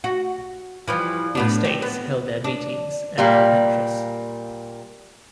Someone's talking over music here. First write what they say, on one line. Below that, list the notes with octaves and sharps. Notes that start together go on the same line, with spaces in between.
The Estates held their meetings at Carpentras.
F#4
E3 F3 G3
A2 B3 D4
C4 G4
B3
D4
A#2 G3 A#3